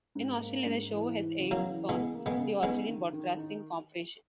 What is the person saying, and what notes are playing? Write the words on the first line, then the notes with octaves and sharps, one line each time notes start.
In Australia, the show has aired on the Australian Broadcasting Corporation.
G#2
A#3
G#2
E3
E3
C#3
F#3 A#3
E3
C#3 G#3 B3
A#3
G#3 B3
C#3
G#3 B3 D#4
D#3
D#3
D#4